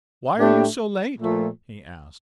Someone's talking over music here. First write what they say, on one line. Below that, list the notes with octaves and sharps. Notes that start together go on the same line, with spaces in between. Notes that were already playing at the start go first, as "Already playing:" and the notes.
"Why are you so late?" he asked.
A2 A3 D4 G4
A#2 F3 A3